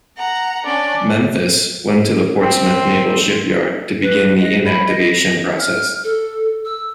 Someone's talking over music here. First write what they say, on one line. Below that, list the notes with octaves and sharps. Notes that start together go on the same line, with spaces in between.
"Memphis" went to the Portsmouth Naval Shipyard to begin the inactivation process.
F#5 A#5
C#4 D4 D5
C4
B4
D#5
B5
D#5
F6
A4
E6